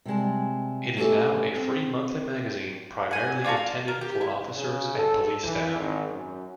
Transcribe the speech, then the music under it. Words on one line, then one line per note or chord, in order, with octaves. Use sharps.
It is now a free monthly magazine primarily intended for officers and police staff.
C3 G3 G#3 A5
A3 B3 C#4 D4 G4 A4
C4
F#5 G#5
D4 F4 F#4 A4
F5
A#4
G4
E4
C#3
A4
E3
G#1
F#2